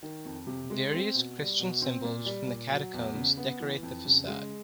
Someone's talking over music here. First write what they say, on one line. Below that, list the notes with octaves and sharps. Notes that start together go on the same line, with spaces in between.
Various Christian symbols from the catacombs decorate the facade.
D#3
F2
C3
G#3
C4
B2
G3
B2
C4
A#2
G3
A#2
F#3
E2
C#3
B3
E3
F2
C#3
G#3